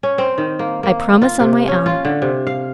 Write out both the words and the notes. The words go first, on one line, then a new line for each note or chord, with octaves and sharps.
"I promise on my honor."
C#4
C4
D#3
A#3
A#3
F4
C3
C#4
F4
D3
C3
F5